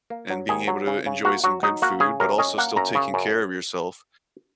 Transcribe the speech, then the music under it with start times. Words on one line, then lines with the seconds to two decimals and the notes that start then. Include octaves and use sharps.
and being able to enjoy some good food, but also still taking care of yourself,
0.10 A#3
0.30 F#3
0.49 D#2 G#4
0.68 F#3
0.87 C#3
1.06 C#3
1.25 A#3 F#4
1.44 F#3 F#4
1.63 F#3 D#4
1.82 A#3 F#4
2.00 C#3 G#4
2.20 F#2 A#4
2.38 C#4 D#5
2.58 A#3 F#5
2.76 F#2 A#5
2.95 C#3
3.14 F#2